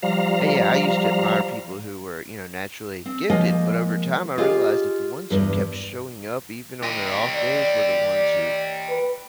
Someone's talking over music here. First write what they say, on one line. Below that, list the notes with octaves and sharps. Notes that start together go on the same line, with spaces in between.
and, yeah, I used to admire people who were, you know, naturally gifted, but over time, I realized that the ones who kept showing up, even on their off days, were the ones who
F3 G3 F5 A#5
C4
F3 G#3 A#3 D#5 G#5
F4 G4 G#4 A#4 D#5
E2 G2 E3 B4
G4 D#5
D5
B4